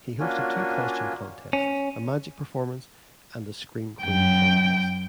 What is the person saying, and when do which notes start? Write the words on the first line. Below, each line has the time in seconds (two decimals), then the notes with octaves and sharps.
He hosted two costume contests, a magic performance, and a scream queen contest.
0.20 A#3 C#4 D4 F4 F#4 G#5
1.53 C#4
4.03 F#2 G5